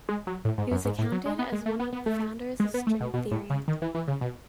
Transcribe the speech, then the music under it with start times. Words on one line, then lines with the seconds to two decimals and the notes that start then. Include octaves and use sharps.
He was accounted as one of the founders of string theory.
0.09 G#3
0.27 F#3
0.45 A2
0.58 G#2
0.71 F#2
0.85 G#2
0.99 A2
1.12 F#3
1.26 G#3
1.39 B3
1.52 G#3
1.66 A3
1.80 B3
1.93 B3
2.06 A3
2.60 G#3
2.74 B3
2.87 A3
3.00 B2
3.14 B2
3.31 A2
3.50 C#3
3.68 D#3
3.82 E3
3.95 E3
4.08 C#3
4.21 B2